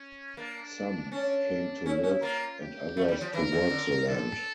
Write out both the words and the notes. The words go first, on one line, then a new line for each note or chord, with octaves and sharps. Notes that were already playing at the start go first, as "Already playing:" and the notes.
Some came to live and others to work the land.
Already playing: C#4
A#3 D4
C#4 D4
C#4 E4
C#4
A#3 F4
G4
A3
G3
F3
E3 A#4
D3
D3
D3 A4